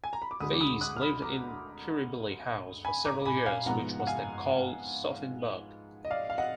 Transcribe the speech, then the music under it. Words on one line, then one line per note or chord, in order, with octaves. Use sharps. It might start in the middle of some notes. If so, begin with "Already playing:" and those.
Feez lived in Kirribilli House for several years which was then called Sophienberg.
G#5
A#5
B5
D6
D2 D3 G#3 B5 D#6
D6
B5 D#6
D#6 F#6
F6
B5 D#6
A#5 D6
G#5 B5
A#5 D6
G#5 B5
F5 G#5
G#2 F3 B3 F#5 A#5
F#5
F5 G#5
D#5
D5 F5
F5
D#5 F#5